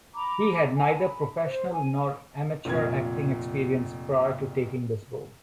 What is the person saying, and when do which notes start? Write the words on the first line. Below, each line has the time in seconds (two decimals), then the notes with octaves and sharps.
He had neither professional nor amateur acting experience prior to taking this role.
0.15 A#5 B5 D6
0.77 G#5
1.00 B5
1.46 C5
1.73 G#5
2.65 F1 A#2 G#6